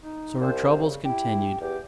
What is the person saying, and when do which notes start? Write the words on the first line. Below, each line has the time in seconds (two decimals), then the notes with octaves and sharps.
So her troubles continued.
0.02 D#4
0.41 C2 C5
0.82 C#3
1.05 E4 G4
1.61 E2 G4